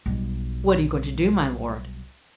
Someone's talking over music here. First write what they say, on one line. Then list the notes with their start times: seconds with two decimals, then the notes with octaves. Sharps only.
"What are you going to do, my lord?"
0.06 B1 G3